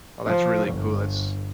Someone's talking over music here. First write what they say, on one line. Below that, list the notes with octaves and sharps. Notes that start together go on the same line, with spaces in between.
Well, that's really cool. That's
F3
G1